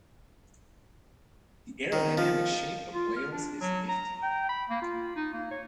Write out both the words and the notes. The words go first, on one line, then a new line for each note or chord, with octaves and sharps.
The aerodynamic shape of whales is nifty.
D#3
F3
F4
F6
D4
F#3
A#5
G5
B5
A#3
F4
D#4
A#3
C#5